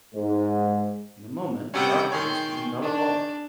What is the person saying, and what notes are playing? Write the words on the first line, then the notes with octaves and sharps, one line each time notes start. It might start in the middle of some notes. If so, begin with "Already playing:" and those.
In a moment darkness would envelop all.
G#2
C3 G3 C#4 F#5 G5
D#3 G#4 C#5 G5 C6
D4